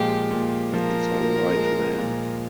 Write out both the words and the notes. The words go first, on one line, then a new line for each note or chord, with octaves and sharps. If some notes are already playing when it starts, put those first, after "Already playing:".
It's all right, men!
Already playing: A#2 F3 G#3 G4
A#2
F3 A#4
A#2
G#3
A#2